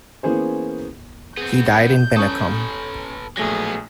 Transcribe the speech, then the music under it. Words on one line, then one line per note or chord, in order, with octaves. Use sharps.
He died in Bennekom.
E3 A#3 B3 C#4 G#4 C5
B3 C4 G#4 G6
C#4 A4 B4 C#6 D#6
A#1 F#3 A3 B3 G#4 A#6